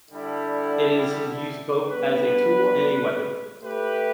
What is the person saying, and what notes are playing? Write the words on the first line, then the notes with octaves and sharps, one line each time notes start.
It is used both as a tool and a weapon.
D3 G3 E4
G3 B3 D4 B4
A3 G4 B4